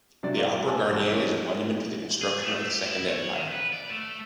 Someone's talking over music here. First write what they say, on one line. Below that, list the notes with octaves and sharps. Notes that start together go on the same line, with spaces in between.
The Opera Garnier is a monument to the construction of the Second Empire.
C3 F#3 D4 D5
A#4 C5 D5 F5
B4 G#5 A5
A1 G3 A4
A#3 B3 C#4 B4 C#5 D#5
G#4
A3
G4
E4
C#5
D#3
B4
D5
A3